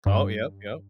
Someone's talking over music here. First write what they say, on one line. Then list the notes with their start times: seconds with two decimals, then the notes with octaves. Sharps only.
Oh, yep, yep.
0.06 G2